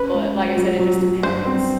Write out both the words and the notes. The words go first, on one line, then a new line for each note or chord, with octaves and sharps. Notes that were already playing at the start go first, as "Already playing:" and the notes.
but, like I said, it just depends.
Already playing: C#4 B4
G#3
G#3
F#3
F#3
F#3
G2 C5
C4